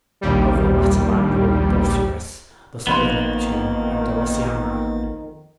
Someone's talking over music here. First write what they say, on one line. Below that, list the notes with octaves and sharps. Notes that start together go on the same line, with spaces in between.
Over the latter land ruled Busiris, the son of Neptune and Lysianassa.
A#1 D#2 G3
A1 F2 D#3 F3 A#3 B3 B5 C6